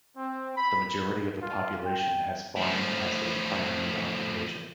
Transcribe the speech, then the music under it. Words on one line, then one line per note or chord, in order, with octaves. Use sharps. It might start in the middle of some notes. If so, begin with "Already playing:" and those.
The majority of the population has farming as their primary occupation.
C4
B5
F4
G5
A2 F3